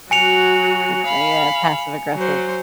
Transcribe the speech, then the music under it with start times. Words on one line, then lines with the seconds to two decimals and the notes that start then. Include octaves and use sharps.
It's a, uh, passive aggressive
0.11 F#3 F#4 G#5 C#7 F7
1.07 F5 B5
2.15 F#3 C5